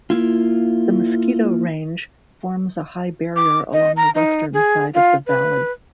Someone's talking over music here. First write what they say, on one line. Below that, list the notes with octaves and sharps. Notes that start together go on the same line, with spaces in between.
The Mosquito Range forms a high barrier along the western side of the valley.
A#3 E4 F4
D6
D#5
A#5
D#4
G#4
F4
B4